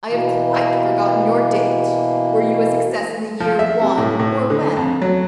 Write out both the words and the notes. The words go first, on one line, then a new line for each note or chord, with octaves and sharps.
"I have quite forgotten your date; were you a success in the year one, or when?"
B2 E3 A#3
F3
E5
C3
A2
A2
D3
F2
F#3